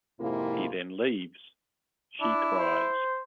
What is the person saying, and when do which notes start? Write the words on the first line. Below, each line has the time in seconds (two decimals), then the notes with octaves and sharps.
He then leaves; she cries.
0.20 F2 G#2 C3 A#3 E4 F4
2.21 D4 E4
2.59 C5